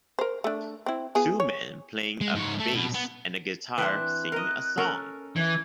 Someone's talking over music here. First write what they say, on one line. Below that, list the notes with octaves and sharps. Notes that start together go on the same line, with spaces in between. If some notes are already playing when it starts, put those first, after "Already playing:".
Two men playing a bass and a guitar singing a song.
A#4 C5
A3 D4
C4 E4
B3 F4 G#4
C#5
G#3
G#2 C#5
A3
B2
B3
E3 C4 D4 F#6
A#4 D#5
C#4 A4 A#4
E3 G#6